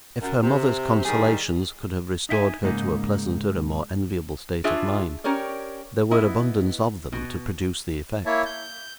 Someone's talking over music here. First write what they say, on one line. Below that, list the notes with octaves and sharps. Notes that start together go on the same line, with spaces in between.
If her mother's consolations could have restored her to a pleasanter and more enviable state of mind, there were abundance of them to produce the effect.
F#2
C3
D#3 G3 G#4
D#4 E5 G5 G#5
G#2 C#3 A#3 D#4
D4 F4 G#4 C#5 E5
C#4 G4 A#4 C#5 D5
B3 E4 D#5
B2
A#3 E4 C#5 E5 A5
G6